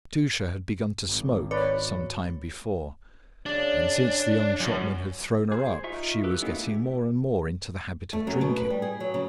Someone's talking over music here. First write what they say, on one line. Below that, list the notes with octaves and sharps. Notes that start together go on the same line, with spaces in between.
Katusha had begun to smoke some time before, and since the young shopman had thrown her up she was getting more and more into the habit of drinking.
G#1
B4 C#5 D5
C#3 G#3 D4
C#5 E5 G#5
F#2 F3 C#4
G#4 C5
D#4 F4 E5 C#6
G4 A4 B4
A#3 B3 C#4 D#4 E4
A3 E4 G4
A3
F#2
B2
B4
G3
G#4
F#3
C#3